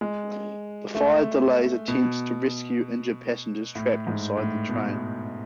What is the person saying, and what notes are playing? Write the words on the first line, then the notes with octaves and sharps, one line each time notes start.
The fire delayed attempts to rescue injured passengers trapped inside the train.
G#3
A3
B2
A2
G#2
A2
B2